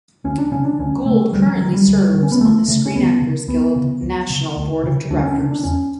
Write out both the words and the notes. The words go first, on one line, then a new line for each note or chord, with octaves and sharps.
Gould currently serves on the Screen Actors Guild National Board of Directors.
D2 C#4
D4
C#3 C#4
D4
D2 C#4
C#3 A3
D2 G3
F#3
D3 F#3
G3
D2
D3
C#4
B3
D2 A3
C#3 A3
C#4
D2 B3
C#3
C#2 B3
C#3
C#2
C#3
D2
C#3
D2 D4
C#4
C#3 D4
D4
E2 C#4